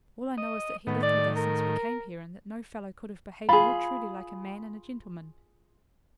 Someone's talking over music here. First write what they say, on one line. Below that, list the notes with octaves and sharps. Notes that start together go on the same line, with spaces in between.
All I know is that he lived with us since we came here, and that no fellow could have behaved more truly like a man and a gentleman.
D#5
A2 D#3 B3
D5
A#4
F4 G#4 B5